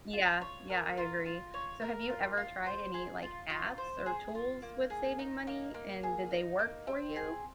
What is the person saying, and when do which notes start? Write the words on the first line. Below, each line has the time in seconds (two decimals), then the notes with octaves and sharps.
Yeah, yeah, I agree, so have you ever tried any like apps or tools with saving money, and did they work for you?
0.13 F4
0.42 C#5
0.70 A#4
0.97 F4
1.26 F4
1.54 C#5
1.82 A#4
2.10 F4
2.37 F4
2.66 C5
2.94 G#4
3.22 F4
3.50 F4
3.78 C5
4.06 G#4
4.35 F4
4.62 A#3
4.90 G#4
5.19 D#4
5.47 A#3
5.74 A#3
6.03 G#4
6.31 D#4
6.59 A#3
6.87 C4
7.16 G#4